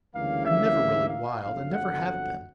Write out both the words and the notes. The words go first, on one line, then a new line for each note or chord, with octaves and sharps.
I'm never really wild and never have been.
D2 C#3 E3 G3 A#3 F5
E5
F5
G1 F2 D3 F#3 F5
F#5